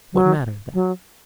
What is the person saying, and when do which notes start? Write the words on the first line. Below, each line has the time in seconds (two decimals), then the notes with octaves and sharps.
What mattered that?
0.13 F#3
0.74 F#3